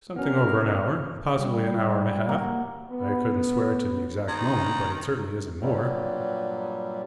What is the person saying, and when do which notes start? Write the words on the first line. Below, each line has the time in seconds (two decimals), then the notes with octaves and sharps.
'Something over an hour,--possibly an hour and a half; I couldn't swear to the exact moment, but it certainly isn't more.'
0.16 B3 C#4 D4 F#4 A#4 F6
1.37 G3
2.29 A#3 F#4
2.91 B3
4.28 D#3
5.62 G2 A#2 F#3 G3